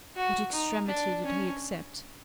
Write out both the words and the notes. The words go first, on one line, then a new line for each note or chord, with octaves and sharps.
What extremity did he accept?
F#4
D#4
D4
C#4